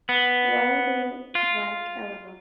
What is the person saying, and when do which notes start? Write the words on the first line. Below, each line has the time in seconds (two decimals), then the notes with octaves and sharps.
Why do you like Eleanor?
0.09 B3
1.35 F4